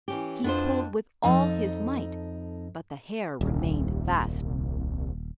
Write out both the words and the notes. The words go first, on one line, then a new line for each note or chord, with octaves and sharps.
He pulled with all his might; but the hair remained fast.
E3 C#4 G4
F2 B3 D4 F4 C5
F2 D#4 A4
D#1 C2